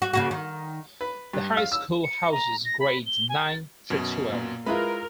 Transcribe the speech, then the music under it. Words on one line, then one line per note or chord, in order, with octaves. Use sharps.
The high school houses grades nine through twelve.
F#4
C#3 A#3 F#4
D#3
B4
G2
F5
E6
C#7
A#5
A#6
B5
G7
G#5
A6
F#2 B2
A#2
G#3 E4 F4 A#4 B4 B5